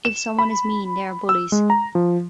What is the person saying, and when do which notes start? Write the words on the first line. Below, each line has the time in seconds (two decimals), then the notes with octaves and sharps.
If someone is mean, they are bullies.
0.05 E7
0.39 B5
1.29 E6
1.52 G#3
1.70 A#5
1.95 F3